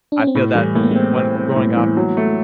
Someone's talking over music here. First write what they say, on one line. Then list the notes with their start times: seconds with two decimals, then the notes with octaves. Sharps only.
I feel that when Growing up,
0.12 D4
0.20 C#4
0.27 C4
0.35 A2 A3 B3
0.55 E3 G3 A3
0.75 A2 A#3
0.83 B3
0.91 G#3 A#3 C4
1.16 C4
1.36 C4
1.56 A2
1.77 E3
1.97 F#3
2.17 A3